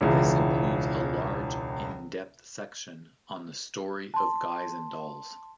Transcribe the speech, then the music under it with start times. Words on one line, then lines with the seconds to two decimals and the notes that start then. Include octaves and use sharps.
This includes a large in depth section on the story of Guys 'n' Dolls.
0.01 E1 C#2 E3
4.14 A5 C6